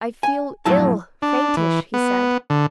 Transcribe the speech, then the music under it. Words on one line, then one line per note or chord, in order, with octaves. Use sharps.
"I feel ill--faintish," he said.
G#5
F2 A2 F#3 E4 A5
D4
E3
B3
D3